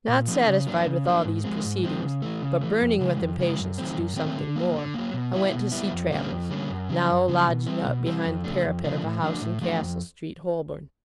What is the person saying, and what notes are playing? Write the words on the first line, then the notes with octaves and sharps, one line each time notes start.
Not satisfied with all these proceedings, but burning with impatience to do something more, I went to see Traddles, now lodging up behind the parapet of a house in Castle Street, Holborn.
A#2
F3 A3 C4 D#4
C#3
F#3 A#3 D4
C#3
F#3 A#3 D4
G#2
F3 G#3 C4
G#2
F3 G#3 C4
C#3
E3 A3
C#3
E3 A3
F2
C#3 E3 G#3
F2
C#3 E3 G#3
F#2
D#3 F#3 A3 C4
F#2
D#3 F#3 A3 C4
D3
F#3 A#3
D3
F#3 A#3
B2
G3 B3 E4
B2
G3 B3 E4
F2
D3 G3 A#3 C#4
F2
D3 G3 A#3 C#4
F#2
C#3 F#3
F#2
C#3 F#3
B2
G3 C4 E4
B2
G3 C4 E4
F2
C#3 F3 A3 D4
F2
C#3 F3 A3 D4
A2
F3 A3 D4 F#4
A2
F3 A3 D4 F#4
F2